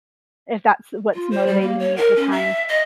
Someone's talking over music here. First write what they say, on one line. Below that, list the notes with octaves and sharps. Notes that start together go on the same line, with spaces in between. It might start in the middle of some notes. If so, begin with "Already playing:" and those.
if that's what's motivating me at the time.
F4
C5
G3
A#3
C#5
A#4
C#4
E5
D#5